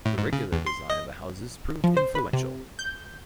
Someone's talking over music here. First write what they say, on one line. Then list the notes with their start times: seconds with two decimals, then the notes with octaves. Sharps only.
The regular design of the houses proved influential.
0.05 A2
0.18 G#2
0.33 C#3
0.53 E2
0.66 C6
0.90 D#5
1.84 F3
1.97 C5
2.15 B4
2.33 C3
2.79 G6